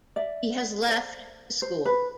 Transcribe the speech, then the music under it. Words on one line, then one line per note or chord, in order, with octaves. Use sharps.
He has left the school.
D5 E5
C5 D5
C5
B4